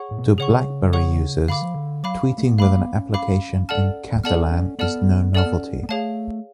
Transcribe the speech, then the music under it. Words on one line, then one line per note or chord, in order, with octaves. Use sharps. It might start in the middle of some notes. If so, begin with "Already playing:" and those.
To BlackBerry users, tweeting with an application in Catalan is no novelty.
Already playing: G#4 C#5 F#5 C#6
A2
B2
A2
C#3 G#4 C#5 F#5 C#6
G#4 C#5 F#5 C#6
D3 F5 B5 D6
F3
D3
F#3 F5 B5 D6
C#4
A3
B3
A3 F5 B5 D6
B3
C#4
F5 B5 D6
A4 D5 F#5 A5 F6
B3 A4 D5 F#5 A5 F6
C#4
B3 A4 D5 F#5 A5 F6
C#4 A4 D5 F#5 A5 F6
B3
C#4
B3
A3 G#4 C#5 F5 A5